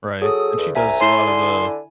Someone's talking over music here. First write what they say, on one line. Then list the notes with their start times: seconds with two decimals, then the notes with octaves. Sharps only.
Right. And she does a lot of the
0.22 F#3 G#4 A4 D#6
0.58 E2
0.75 C2 E5 G#5 A#5
1.00 A2 E4 G#5 C6
1.27 D3